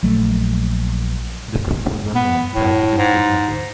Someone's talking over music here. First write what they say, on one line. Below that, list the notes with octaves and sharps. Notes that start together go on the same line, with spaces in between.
The group was unknown prior to this kidnapping.
A#1 F#3 A3
B3
A2
G#2